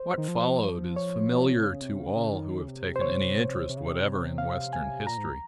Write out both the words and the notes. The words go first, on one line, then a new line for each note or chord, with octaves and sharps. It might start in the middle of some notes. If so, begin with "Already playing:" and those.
What followed is familiar to all who have taken any interest whatever in Western history.
Already playing: C5
D#3
F3
C#5
C3
C#3
C3
C#3
C#3
D#3
C#3
C3
C5
C#5
C3
C#3
C3
F5
G#5
A#2 A#5
G#2